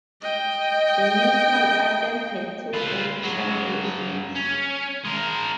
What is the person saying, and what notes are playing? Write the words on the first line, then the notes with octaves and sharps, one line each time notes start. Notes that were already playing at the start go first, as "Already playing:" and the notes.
The national anthem had two official versions.
D#5 G5
F4 B4
C#3 F#3
C#4
G#3 A#4